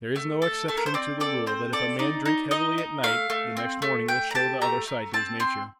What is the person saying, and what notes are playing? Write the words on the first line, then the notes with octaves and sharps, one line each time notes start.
There is no exception to the rule that if a man drink heavily at night the next morning will show the other side to his nature.
A3
A4
A3 A4
A#4
C5
C4 D5
A4 D5
C4 C5
A4 D5
D#4 D5
D#4
D#4 D#5
D#4
A3 F5
A3
C4
A3
A3 G5
A#5
G4 A5
A3 A#5
A3
C4 A5
C4 C6